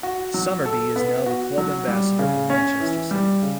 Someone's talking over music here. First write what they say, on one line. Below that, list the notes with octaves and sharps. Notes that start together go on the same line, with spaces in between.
Summerbee is now the Club Ambassador for Manchester City.
F#4
F#3
A4
B3
F#4
F#3
G3
C#3
C#4
E3
G3
C#3